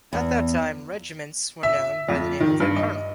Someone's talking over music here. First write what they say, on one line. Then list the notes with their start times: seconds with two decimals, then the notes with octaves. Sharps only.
At that time, regiments were known by the name of their colonel.
0.13 E2
1.63 E5
2.09 F2
2.40 D#3
2.60 G2
2.76 D#5